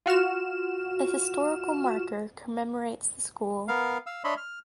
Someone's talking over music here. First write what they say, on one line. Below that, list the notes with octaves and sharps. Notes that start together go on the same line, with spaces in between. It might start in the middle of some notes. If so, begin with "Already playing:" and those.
A historical marker commemorates the school.
F4 F#4 F6 E7
B3 A#4 F5
F5 E6
D4 C#5 D#5 E5 B5 C6
F6